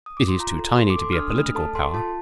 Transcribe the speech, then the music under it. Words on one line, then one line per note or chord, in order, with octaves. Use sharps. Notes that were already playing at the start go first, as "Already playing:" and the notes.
It is too tiny to be a political power.
D#6
D6
C6
F4 A#5
A4
A4 C6
D6
A4 C6
F6
D4 D#6
D#6
A3 F6
A4 A5
A4 C6
F4 A5